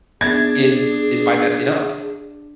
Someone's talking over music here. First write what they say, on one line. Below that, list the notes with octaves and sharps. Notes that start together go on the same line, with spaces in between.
is, is by messing up,
B3 D4 G#4 G#6 A6